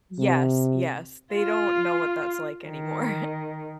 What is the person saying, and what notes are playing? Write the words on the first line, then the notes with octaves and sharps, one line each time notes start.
Yes, yes, they don't know what that's like anymore.
C3
F4 F5
D#3